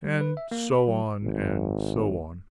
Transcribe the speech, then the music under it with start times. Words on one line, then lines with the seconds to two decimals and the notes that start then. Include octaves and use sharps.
And so on, and so on.
0.05 G3
0.21 B4
0.37 E5
0.51 A#3
0.71 B5
0.88 F#3
1.22 G#1